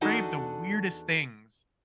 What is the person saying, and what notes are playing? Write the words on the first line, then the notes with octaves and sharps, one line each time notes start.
crave the weirdest things,
E2 D4 D#4 F#4 A4 A5